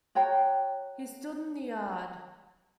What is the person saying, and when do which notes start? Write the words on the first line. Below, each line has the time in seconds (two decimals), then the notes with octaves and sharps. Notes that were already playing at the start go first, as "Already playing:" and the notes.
He stood in the yard.
0.15 F#4 C#5 G5 A#5